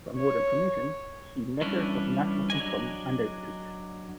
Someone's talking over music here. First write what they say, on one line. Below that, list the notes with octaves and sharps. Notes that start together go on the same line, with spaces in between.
For more information, see Measures of national income and output.
C#5
E3 G3 C#4 D4 E4
F#3 D4 D#5 G#5